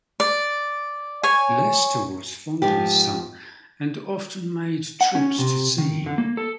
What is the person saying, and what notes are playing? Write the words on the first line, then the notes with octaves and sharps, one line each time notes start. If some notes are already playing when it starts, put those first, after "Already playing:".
Leicester was fond of his son and often made trips to see him.
D5
C#5 G#5
G#2 F3 G4
F#5
C#4
C3
D#3
D3
A#3
A4